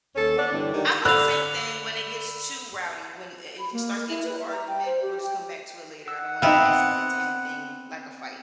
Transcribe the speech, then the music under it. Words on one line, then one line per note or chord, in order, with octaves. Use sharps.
I felt the same thing when it gets too rowdy, when i if it starts getting to an argument, we'll just come back to it later, I don't want it to escalate to anything like a fight.
D#2 C#4 A4
B3 D4
G2 D3 E3
D#3 G3
D3 F5 B5 E6 F#6
B5
A#3
A#4
E4
B4
E5
A#5
G5
C5
G4
G5
F#5 E6
B3 C4 D#4 E5 F5